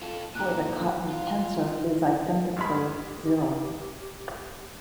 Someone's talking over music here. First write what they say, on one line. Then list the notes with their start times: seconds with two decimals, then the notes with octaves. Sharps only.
For the Cotton tensor is identically zero.
0.02 F4 A4
0.35 A#2 D3 A#5 F#6
1.10 F4
2.56 G2 G#3 G4 B5